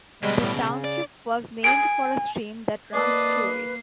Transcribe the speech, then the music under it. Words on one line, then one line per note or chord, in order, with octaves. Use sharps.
The township was named for a stream that runs through it.
D2 B2 G3 G#3
A2 G3
C#3
D5
G#5 D7
A#3 B4 D5 D#5 A5 D#6 C7